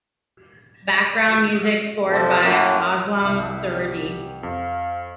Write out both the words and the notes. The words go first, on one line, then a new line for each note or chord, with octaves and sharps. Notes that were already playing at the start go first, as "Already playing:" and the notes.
Background music scored by Aslam Surti.
C3 F3 A4
F#2 A2 A#3
C2 E5
G4
F2 F5